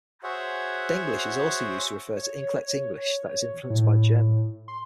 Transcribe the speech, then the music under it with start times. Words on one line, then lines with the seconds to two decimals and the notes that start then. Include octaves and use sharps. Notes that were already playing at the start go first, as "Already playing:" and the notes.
Denglish is also used to refer to incorrect English that is influenced by German.
0.23 F#4 G#4 C5 C#5 E5 F#5
2.17 C#5
3.70 A2
4.68 C6